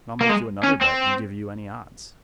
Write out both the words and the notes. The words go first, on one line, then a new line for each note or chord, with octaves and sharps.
"And I'll make you another bet, and give you any odds."
A#3
G#3
C#4
C4